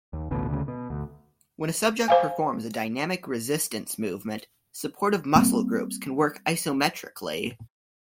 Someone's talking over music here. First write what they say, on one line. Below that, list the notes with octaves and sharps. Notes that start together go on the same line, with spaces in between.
When a subject performs a dynamic resistance movement, supportive muscle groups can work isometrically.
D#2
A1 D2 B2
D2 C#3
B2
D2
C5 F5 G#5
G3 A#3 C4